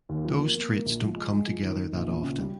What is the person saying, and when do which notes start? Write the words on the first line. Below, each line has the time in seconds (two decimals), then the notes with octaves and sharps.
Those traits don’t come together that often.
0.09 D#2
0.25 F3
0.39 A#3
0.55 A#3
0.70 A#3
0.86 A#1
1.01 F3
1.16 G#3
1.31 G#3
1.47 F3
1.63 D#3
1.78 D#3
1.93 A#1
2.07 A#1
2.24 C#3
2.38 G3